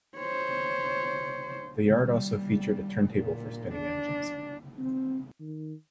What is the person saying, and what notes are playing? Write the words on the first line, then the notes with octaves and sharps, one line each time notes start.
The yard also featured a turntable for spinning engines.
C5 C#5
G3
A#2
D4
C4
D#3